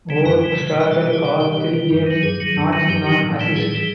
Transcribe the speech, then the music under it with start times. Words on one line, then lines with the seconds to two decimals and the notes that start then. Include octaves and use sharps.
Orr started all three games notching an assist.
0.09 C#3 E3 G3
0.25 F#2 A#4
0.41 C#3 E3 G3
0.58 B2 B4
0.69 B4
0.75 G3
0.80 A#4
0.91 B2 A4
1.02 A4
1.08 G3
1.13 G#4
1.25 B2 G4
1.40 G3 G4
1.57 B2
1.74 G3
1.91 G2
2.07 D#3 F#3
2.23 G2 G#4
2.40 D#3 F#3
2.56 G2
2.73 D#3 F#3
2.89 G2 G4
3.06 D#3 F#3
3.23 A2
3.40 E3 G3
3.56 A2 G#4
3.72 E3 G3